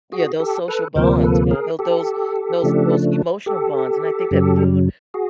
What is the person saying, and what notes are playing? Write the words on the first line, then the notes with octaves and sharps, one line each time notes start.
yeah, those social bonds, yeah, tho those those those emotional bonds, and I think that food,
F#4 G#4
G4 A4
A4 B4
D2 C3 F3 A#3 A#4 C5
A4 B4
G#4 A#4
G4 A4
C#3 F3 A3 D4
G4 A4
F#2 C#3 F#3
F#4 G#4